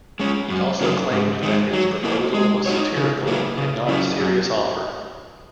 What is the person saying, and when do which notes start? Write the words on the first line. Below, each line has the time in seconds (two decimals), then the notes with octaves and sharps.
He also claimed that his proposal was satirical and not a serious offer.
0.20 G#3 C#4
0.50 F#2
0.81 C#3 F#3 A#3
1.11 G#2
1.43 D#3 G#3
1.73 F#3
2.04 A#3 E4 A#4 D#5
2.34 G#3
2.66 D#4 F#4 C#5
2.97 C#3
3.27 F#3 A#3 E4 B4
3.58 C#3
3.88 F#3 C#4 E4
4.20 F#2